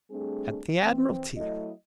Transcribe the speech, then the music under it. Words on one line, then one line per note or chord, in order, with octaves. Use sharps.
"At the Admiralty."
G3 A3 C4 D4 G#4
E3 C4
F#3 A3 E4 D#5